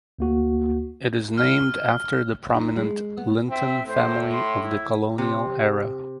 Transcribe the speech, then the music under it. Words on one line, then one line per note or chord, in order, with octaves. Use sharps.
It is named after the prominent Linton family of the colonial era.
D2 A#3 F#4
F6
D#4
G#3
B3
C4 E5
A2 C5
C6
E4
C3